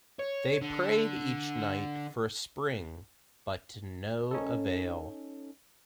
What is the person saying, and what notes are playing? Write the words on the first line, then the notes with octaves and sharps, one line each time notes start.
They prayed each night for a spring, but to no avail.
C#5
D3
C#4 D#4 A4